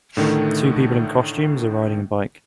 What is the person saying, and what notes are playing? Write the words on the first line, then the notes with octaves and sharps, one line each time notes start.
Two people in costumes are riding a bike.
A2 D3 D#3 A3